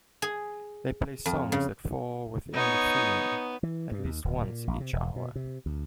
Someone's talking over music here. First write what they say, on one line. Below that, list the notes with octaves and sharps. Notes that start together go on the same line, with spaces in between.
They play songs that fall within the theme at least once each hour.
G#4
F2
C#3
B3 D#4 C#5
E3
G2
D#2
D1
A#2
A#1
C3
E1
B2
C3
D2